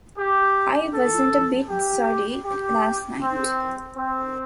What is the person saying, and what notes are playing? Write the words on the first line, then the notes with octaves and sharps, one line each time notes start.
I wasn’t a bit sorry last night.
G4
A4
G4
G4
C4
C4